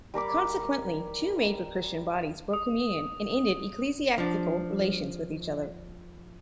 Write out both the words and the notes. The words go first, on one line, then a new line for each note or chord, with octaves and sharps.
Consequently, two major Christian bodies broke communion and ended ecclesiastical relations with each other.
G3 A#4 B5 D6
D#6
F3 D4